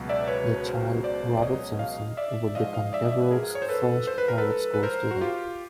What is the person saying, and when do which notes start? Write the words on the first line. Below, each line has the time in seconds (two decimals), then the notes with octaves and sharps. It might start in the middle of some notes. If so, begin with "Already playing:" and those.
The child, Robert Simpson, would become Devereux's first private school student.
Already playing: C#2 B2 F#3
0.09 D5 E5
0.28 B4 C#5
0.57 B4
0.66 A#4 C5
1.04 C5 D5
1.37 D5
1.42 C#5 D#5
1.79 D#5 F5
2.17 D5 E5
2.55 G#2 F3 D#5 F5
2.74 D#5 F5
2.93 D5 E5
3.05 D#5
3.12 D5 E5
3.22 B4
3.31 G#4 A#4
3.55 C#5
3.62 C5
3.69 A4 B4
4.07 C5
4.18 B4
4.28 A#4
4.38 A4 B4
4.74 B4
4.83 A#4 C5
5.11 F#4
5.21 F4 G4